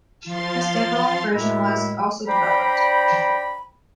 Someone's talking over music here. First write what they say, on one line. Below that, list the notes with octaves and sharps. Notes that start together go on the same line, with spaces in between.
A stand-alone version was also developed.
F3 F5 C6 A6
F#2 A2 G#3 A3 E4
D4 C5 D5 G5 A#5 B5